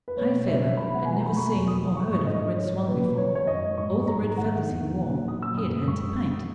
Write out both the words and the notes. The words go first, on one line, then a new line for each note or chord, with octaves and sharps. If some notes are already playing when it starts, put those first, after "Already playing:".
High-feather had never seen or heard of a red swan before; all the red feathers he wore he had had to paint.
B4
B2 C#5
B2
G#3 E5
G#3
B2 B5
B2 F#5
G#3 G#5
A#5
B2 B5
B2 C#6
E2
F#3 D#6
F#3
G#2 C#6
G#2 C#6
G#2 D#5
G#2
F#3 C#5
F#3
A#2 B4
F#3
D#3 C#5
D#3 C#5
F#2 D#5
G#3
G#2 C#6
F#3
G#2 A#5
G#2
D#3 F#5
D#3
E2
D#3
A#2
F#3
F#3 D#6
A#2 E6
F#2 D#6
F#2
G#3 C#6